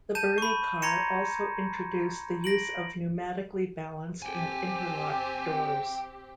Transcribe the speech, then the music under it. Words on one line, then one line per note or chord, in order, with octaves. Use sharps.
The Birney Car also introduced the use of pneumatically balanced and interlocked doors.
A5 G6 D#7 E7
B5 C#6
A#5 C6 G#6 A#6 C#7 E7
A#6 D7 F#7
C4 G4 G5 G#5